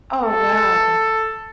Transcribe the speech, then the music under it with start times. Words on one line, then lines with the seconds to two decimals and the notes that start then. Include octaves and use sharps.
Oh, wow.
0.24 A4